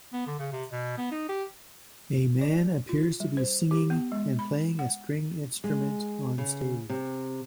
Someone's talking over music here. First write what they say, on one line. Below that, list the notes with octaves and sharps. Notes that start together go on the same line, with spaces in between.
A man appears to be singing and playing a string instrument on stage.
B3
D3
C#3
C3
B2
B3
D#4
G4
D5
F4
G3
C5
G4
B3
G#3
B5
F#5
G#3
C#3
C3